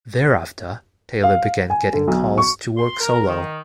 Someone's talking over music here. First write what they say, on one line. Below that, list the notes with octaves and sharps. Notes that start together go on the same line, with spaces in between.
Thereafter, Taylor began getting calls to work solo.
F5
G#5
D3
B1
C#6
C6
A#4
D#3